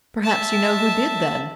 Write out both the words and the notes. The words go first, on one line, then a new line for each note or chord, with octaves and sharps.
"Perhaps you know who did, then?"
E5 A5